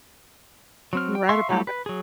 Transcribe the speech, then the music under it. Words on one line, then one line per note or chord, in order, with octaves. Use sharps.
You're right about it.
F#3 C4 F6
G5
E5 F5 C6 C#6 E6
F#3 G3 A3 E4 G4
B4
F#3 G#4